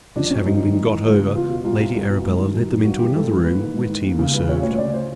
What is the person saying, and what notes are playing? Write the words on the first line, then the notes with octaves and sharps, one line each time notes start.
This having been got over, Lady Arabella led them into another room where tea was served.
F2 D4
C3 C#4
F#2 D#4
D#3
G#2
E3
C#2
C#3
E2 F4
B2
C2 F4
C3
C2
B2
G#2
D#3
F#2
D#3
G2 F#4
E3 G4
G#2 A4
E3
D#2 B4
D#3
G#2
D#3
D#2
C#3
C2 B4
A#2 C#5
D2 C#5
C#3 D5
C5